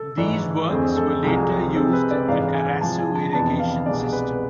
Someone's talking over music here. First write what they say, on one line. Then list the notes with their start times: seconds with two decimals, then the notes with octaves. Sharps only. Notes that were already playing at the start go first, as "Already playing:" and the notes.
These works were later used in the Carasu irrigation system.
Already playing: A4
0.17 G#2 E3 A3 D4
0.70 F2 D3 A3 C4 G#4
0.96 A4
1.22 C2 C3 F3 G#3 C4 G#4
1.75 C3 G#3 C4 A4
1.93 B4
2.11 D5
2.28 G#2 E3 G#3 D4 F5
2.54 G#5
2.81 C3 F3 G#3 A5
2.99 G#5
3.15 A5
3.33 F2 C3 E3 B3 D4 A5
3.60 F5
3.86 C2 B2 G#3 D4 D5
4.12 B4